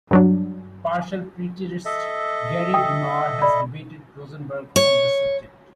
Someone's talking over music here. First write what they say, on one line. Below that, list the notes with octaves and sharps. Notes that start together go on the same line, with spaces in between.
Partial preterist Gary DeMar has debated Rosenberg on this subject.
G2 F#3 D4
A4 D#5 E5
G5 D#6
D5 B5
C#5